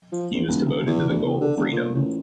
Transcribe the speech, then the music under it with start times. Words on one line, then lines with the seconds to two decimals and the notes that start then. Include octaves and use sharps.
He was devoted to the goal of freedom.
0.12 F3
0.33 A#1
0.47 D#1
0.65 E1
0.87 E2
1.09 D2
1.25 E2
1.40 D3
1.57 E1
1.72 A#2
1.95 A1